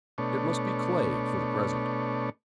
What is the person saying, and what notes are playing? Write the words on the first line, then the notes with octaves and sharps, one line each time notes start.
It must be clay for the present.
B2 A3 D4 C#5